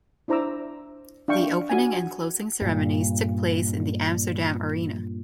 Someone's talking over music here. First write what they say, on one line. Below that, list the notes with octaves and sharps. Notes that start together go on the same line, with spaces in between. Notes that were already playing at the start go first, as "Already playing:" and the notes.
The opening and closing ceremonies took place in the Amsterdam Arena.
D4 E4 C5 A#5 D6 E6
D4 E5 F5 G5 C#6
F#4 G#5
G2 A#2